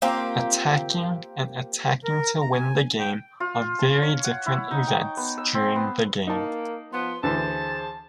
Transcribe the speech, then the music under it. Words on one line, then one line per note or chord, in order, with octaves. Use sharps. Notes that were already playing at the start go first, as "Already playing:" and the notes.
Attacking and attacking to win the game are very different events during the game.
A#3 C4 F4 G4
A#4
A#5
G#5
G5
F4
A5
C#5
F#5
E4
D#4
G5
B3
E6
C4
B3
A#3 D#4 A5
F3 B3 C6
D2 E3 G#4 C5 A5 A6